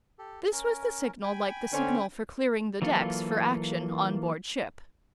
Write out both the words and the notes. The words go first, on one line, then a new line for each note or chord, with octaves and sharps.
This was the signal like the signal for clearing the decks for action on board ship.
G4 A4
C#4 A#4
G5 G#5 B5
D3 C4 C#4
E3 F#3 A#3 F4 A4